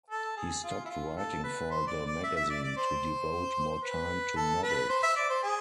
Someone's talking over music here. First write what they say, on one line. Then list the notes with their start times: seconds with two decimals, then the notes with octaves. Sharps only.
He stopped writing for the magazine to devote more time to novels.
0.10 A4
0.37 G#4
0.63 F4
0.85 E4
0.90 F4
1.17 A4
1.43 B4
1.70 C5
1.87 D5
2.06 D5
2.23 E5
2.36 E5
2.49 D5
2.63 D5
2.76 C5
3.83 B4
4.36 A4
4.63 B4
4.89 C5
5.03 E5
5.16 D5
5.30 C5
5.43 G#4